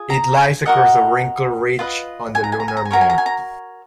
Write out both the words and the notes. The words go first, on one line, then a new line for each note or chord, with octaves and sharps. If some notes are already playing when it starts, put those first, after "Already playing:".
It lies across a wrinkle ridge on the lunar mare.
Already playing: F4 G#4
A#5
G#5
F#4 A#4 D#5 F#5
F4 B4 D#5
G#5
A#5
G#5
A#5
G#5
A#5
G#5
F#4 A#4 C#5 A#5
G#5
A#5
G#5
A#5